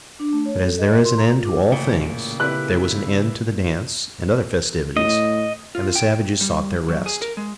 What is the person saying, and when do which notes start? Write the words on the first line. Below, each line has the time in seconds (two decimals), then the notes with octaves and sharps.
But as there is an end to all things, there was an end to the dance and other festivities and the savages sought their rest.
0.20 D4
0.33 A3
0.45 C#5
0.62 A4
0.79 D#5
0.93 A#4
1.05 C6
1.17 A#5
1.33 F4
1.45 D6
1.72 A1 A#2 C#3
2.40 E4 G4 B4 F#6
4.97 A2 D#5
5.75 F4
5.95 G5
6.41 G3
6.89 F#3
7.06 G#4
7.22 A#4
7.37 G#3